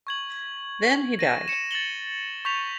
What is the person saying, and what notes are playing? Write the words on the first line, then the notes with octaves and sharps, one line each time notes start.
Then he died.
C#6 G#6 F#7
A#6 D#7 E7
C#7 E7
A6 E7 F#7 G7
C#6 G6 B6 F7